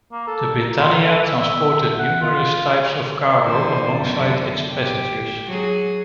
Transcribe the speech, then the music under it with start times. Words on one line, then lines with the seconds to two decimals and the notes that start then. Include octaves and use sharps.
The Britannia transported numerous types of cargo alongside its passengers.
0.12 A#3
0.28 A4
0.60 A#4
0.79 F4
1.00 A4
1.29 E5
1.99 F#5
2.22 F4
3.44 D3 E3 C5
4.01 F#2 B2 D3
4.69 G4
5.47 F#3 G#4